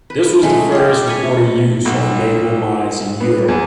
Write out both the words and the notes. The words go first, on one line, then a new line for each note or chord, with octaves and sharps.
This was the first reported use of naval mines in Europe.
B4
F#3 G#3 A3 C#4
F4 G4
C#5 G#5 B5
B1
B3
E2